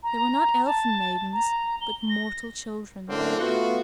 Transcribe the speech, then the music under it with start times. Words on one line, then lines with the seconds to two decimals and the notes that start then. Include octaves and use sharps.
They were not elfin maidens, but mortal children.
0.03 A#5
0.65 A5
1.33 A#5
1.81 G7
2.09 A#6
3.08 F#2 A2 D3 F#3 A#3 C4
3.38 A3 B3 F4 F#4